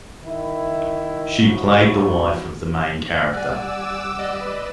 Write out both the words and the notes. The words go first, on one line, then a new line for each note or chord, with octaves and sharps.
She played the wife of the main character.
D#3 E4
C#2 G#2 E4 F#4
G3 D5 F#5 G#5 D6 E6
B4 D5 D#5